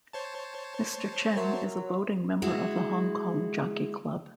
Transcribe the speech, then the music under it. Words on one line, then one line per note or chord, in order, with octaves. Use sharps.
Mr. Cheng is a voting member of the Hong Kong Jockey Club.
C5 C#5 A5
F#3 A#4 E5 C6
G#3 E4 F#4